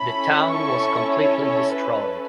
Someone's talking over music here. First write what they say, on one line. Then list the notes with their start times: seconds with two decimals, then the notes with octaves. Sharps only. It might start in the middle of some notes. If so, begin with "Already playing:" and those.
The town was completely destroyed.
Already playing: C#4 E4 A4 B5
0.53 C#6
1.14 C#5
1.45 C#5
1.75 B4